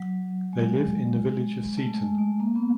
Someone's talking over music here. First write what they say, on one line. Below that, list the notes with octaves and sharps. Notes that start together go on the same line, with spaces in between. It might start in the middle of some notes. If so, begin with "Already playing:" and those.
They live in the village of Seaton.
Already playing: F#3
G#3
A3
G#3
A3
A#3
B3